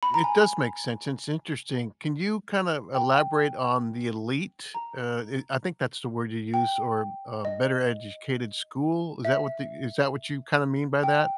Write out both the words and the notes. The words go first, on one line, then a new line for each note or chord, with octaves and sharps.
it does make sense, it's interesting. Can you kinda elaborate on the elite? Uh, i I think that's the word you used, or, uh, better-educated school? Is that what the is that what you kinda mean by that?
B5
A#5
G#5
G5
A#5
G5
D#5
E5
G5